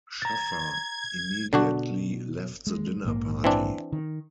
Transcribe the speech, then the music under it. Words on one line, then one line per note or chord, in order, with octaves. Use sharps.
Schaffer immediately left the dinner party.
A#5 G#6 A6
B2 D3 D4 F#4
G#3
A#1 G#2 A#3
E3 C4 D4
D#3